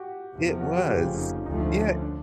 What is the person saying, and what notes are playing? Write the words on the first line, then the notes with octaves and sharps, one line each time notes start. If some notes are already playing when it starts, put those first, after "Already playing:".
It was, yeah
Already playing: F#4 G4
E2 C3 F3
F#4
G4
F1 F2 C#3 G4
F4
D#4
D2 D3 F3 A3 D#4
D4
C#4
D4
D4